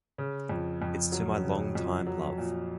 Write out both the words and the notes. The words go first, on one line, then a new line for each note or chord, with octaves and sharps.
It's to my long-time love.
C#3
F2
F2
F#3
C#3
F2
F#3
A#2